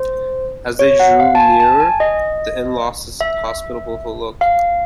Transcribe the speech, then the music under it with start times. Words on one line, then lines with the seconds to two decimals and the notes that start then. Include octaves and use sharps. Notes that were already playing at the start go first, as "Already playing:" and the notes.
As they drew nearer, the inn lost its hospitable look.
Already playing: C5
0.79 C#5
1.00 F#5
1.20 F5
1.35 A5
1.40 G#5
1.60 A5
1.80 G#5
2.00 D#5
3.21 E5
4.41 F5